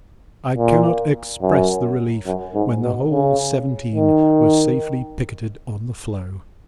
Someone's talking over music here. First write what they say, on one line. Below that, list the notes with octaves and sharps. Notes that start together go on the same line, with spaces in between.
I cannot express the relief when the whole seventeen were safely picketed on the floe.
A#2
F#2
F#2
G#2
B2
C#3
D#3